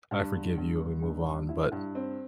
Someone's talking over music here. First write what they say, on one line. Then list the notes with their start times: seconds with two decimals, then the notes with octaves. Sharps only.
"I forgive you," we move on, but
0.11 G2
0.34 D3
0.57 G2
0.80 D3
1.02 G2
1.26 G2
1.49 E4
1.72 G2
1.95 C4